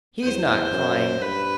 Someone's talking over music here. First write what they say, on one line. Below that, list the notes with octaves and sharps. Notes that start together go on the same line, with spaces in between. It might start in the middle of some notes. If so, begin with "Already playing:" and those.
He's not kind.
E2 C5
F#2
G2 B4